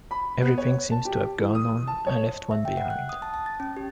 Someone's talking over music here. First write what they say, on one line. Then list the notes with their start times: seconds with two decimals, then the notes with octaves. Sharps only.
Everything seems to have gone on and left one behind.
0.11 B5
0.42 B3
0.58 C#5
0.91 A5
1.05 G4
1.38 E3
1.55 D#6
1.87 A5
2.07 C#5
2.51 E5
2.65 G5
2.77 F#5
2.90 F#6
3.09 D#6
3.22 A5
3.34 A5
3.46 A6
3.60 C#4
3.77 G4